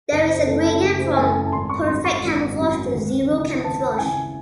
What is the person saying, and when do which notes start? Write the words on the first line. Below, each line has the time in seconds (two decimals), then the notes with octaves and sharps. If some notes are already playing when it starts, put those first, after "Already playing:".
There is a gradient from perfect camouflage to zero camouflage.
0.11 F#1 D#5
0.29 C5
0.47 F#2 E3 A3 A4
0.64 A4
0.81 F#1 G#4
1.00 C5
1.17 F#2 E3 A3 G#5
1.35 G#5
1.46 A5
1.52 G#1 C6
1.69 C#6
1.87 F#2 D#3 F#3 C6
2.05 C#6
2.23 G#1
2.58 F#2 D#3 F#3
2.93 D#2
3.29 C#3 E3
3.64 D#2 A5
3.98 C#3 E3 G#5